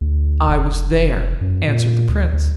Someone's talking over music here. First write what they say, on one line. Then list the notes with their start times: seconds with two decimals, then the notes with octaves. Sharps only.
'I was there,' answered the prince.
0.01 D2
0.48 F1
0.93 F1
1.41 F#2
1.68 A#2
2.09 D2
2.33 D2